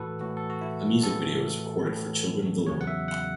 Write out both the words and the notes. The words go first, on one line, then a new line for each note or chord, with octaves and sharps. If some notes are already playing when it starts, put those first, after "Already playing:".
A music video was recorded for Children of the Lord.
Already playing: A2 E3 F#4 A4 B4
A2 E3 F#4
A4
F#4
E4
A2 E3 A4
A2 E3
E2 C#3 F#3 C#5
F#5
E5
F#5